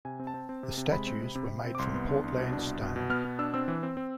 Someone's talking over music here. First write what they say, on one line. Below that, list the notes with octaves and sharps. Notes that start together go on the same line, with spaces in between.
The statues were made from Portland stone.
C3 G#5
C4
A5
C4
C4
C3
C3
G#3 B5
C4
C3
C3
C3
C4
D6
C2 C6
B3
D4
C2
B2
D4
C2
B2
B2
B3 F6
B2
D4 E6
C4 E6
E3
C4
C4